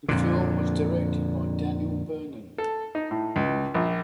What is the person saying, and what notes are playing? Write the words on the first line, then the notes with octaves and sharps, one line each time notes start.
The film was directed by Daniel Vernon.
F2 A#2 D3
A4
D#4
A2
C#2
A#1